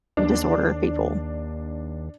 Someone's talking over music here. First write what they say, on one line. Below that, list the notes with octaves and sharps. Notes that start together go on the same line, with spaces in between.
disorder people,
D#2 D4